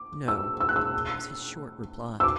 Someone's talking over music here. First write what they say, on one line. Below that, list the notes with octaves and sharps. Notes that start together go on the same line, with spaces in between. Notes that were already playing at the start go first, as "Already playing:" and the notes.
"No," was his short reply.
Already playing: D6
E6
E6
F#6
E6
E6
D6